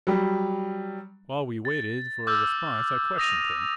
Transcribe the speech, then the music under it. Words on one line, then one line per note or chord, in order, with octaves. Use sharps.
While we waited for a response I questioned him.
F#3 G3
A6
D6 E6 F6 G6
D#6 A#6 D#7 F7